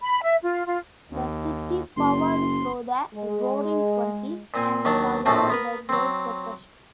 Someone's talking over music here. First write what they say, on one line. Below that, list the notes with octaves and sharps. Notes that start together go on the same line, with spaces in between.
The city powered through the Roaring Twenties and survived the Great Depression.
B5
E5
F4
F4
D#2
F#1 C6
G#3
A#2 C4 G#5
D#2 D#3 F#3 D4
A#1 A2 F3 A3 C4 F#4
B3 A#4 B4
F#3 C4